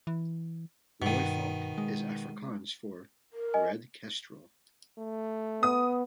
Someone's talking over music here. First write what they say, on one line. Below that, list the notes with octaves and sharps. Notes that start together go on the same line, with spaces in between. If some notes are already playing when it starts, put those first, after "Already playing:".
"Rooivalk" is Afrikaans for "Red Kestrel".
E3
G2 B2 D#3
G#3
A#4
D#5 G#5
A3
B3 D#6